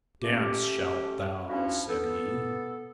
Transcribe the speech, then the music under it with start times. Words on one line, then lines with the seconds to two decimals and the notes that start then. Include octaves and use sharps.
"Dance shalt thou!" said he.
0.22 A3 C#4 G4
1.49 F3 C#4 D4 E4 F#4
1.88 B3 A4